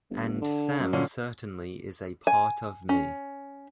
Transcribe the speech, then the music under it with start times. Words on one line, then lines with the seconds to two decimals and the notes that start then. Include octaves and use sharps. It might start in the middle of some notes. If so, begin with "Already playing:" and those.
And Sam certainly is a part of me.
0.10 G1
0.41 D3
0.79 F#2
0.93 A#2 D3 C#4
2.27 G#5
2.89 C#4